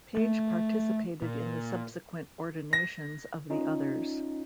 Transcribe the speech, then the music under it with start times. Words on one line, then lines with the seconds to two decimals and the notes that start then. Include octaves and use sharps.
Page participated in the subsequent ordinations of the others.
0.17 A3
1.22 A#2
2.73 A#6
3.50 C#4 D#4 F4